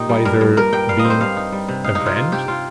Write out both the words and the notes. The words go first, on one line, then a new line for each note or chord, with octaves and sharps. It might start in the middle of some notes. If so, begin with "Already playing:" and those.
By their being avenged?
Already playing: A#2 D#4 G4
G3
G2 A#4
G2
G2 A#4
G2 G5
G3 F5
D#5
C4
C5
G2 F5
D#4
G3
C3
D#4 F5
D#4
C3
F4
C3 F4
C3 G4
C3 F4